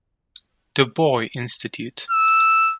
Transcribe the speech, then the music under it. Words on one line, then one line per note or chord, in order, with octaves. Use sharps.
Du Bois Institute.
E6